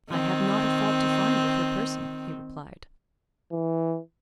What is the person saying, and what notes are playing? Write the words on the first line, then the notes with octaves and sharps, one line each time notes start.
"I have not a fault to find with her person," he replied.
D#3 C4
E3